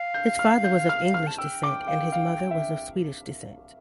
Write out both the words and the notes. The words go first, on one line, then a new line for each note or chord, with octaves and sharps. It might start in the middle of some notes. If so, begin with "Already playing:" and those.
His father was of English descent and his mother was of Swedish descent.
Already playing: F5
G6
F6
G6
F6
F6
A5
G5 E6
D6
F5
F5
E5